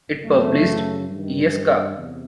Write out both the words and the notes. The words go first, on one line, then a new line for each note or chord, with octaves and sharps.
It published "Yesca".
F#2 C#3 E3 A3
G2
D#3
E2 C3